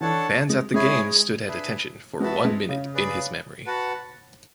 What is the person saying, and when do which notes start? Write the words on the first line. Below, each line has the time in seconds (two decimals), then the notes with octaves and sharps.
Fans at the game stood at attention for one minute in his memory.
0.01 E3 D4 A4 C#5 F#5 A5
0.50 G#3
0.74 G#3 E4 G#4 C#5 G#5
1.47 D4 G#4 B4 E5 G#5
2.20 G#3 B3 F#4 B4 E5 A5
2.45 G#3
2.69 C#3
2.94 G#4 B4 D5
3.66 F#4 B4 F#5 A5